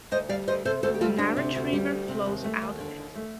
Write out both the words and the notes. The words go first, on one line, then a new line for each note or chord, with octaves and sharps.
The Narach River flows out of it.
D2 C5 D#5
G3 D5 F5
D2 C5 D#5
C3 A4 C5
D2 A4 C5
G4
G3 F4 A4
D2 D4
C3
D2
G3
D2
C3
D#2
A3
D#2
D3
D#2
A3